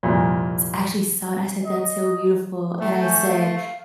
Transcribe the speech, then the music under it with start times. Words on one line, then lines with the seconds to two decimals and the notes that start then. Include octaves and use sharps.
actually saw it. I said, "That's so beautiful." And I said,
0.03 C2 F2 A#2
1.65 D#5
2.80 A3
2.99 G#5 C#6 G6
3.24 F5